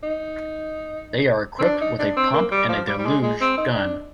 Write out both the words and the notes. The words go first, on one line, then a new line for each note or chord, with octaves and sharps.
They are equipped with a pump and a deluge gun.
D#4
C4
D4
D#4
D4
C4
A#3
G3
F3
G3
G3
G#3
G#3
C4
D#4
D4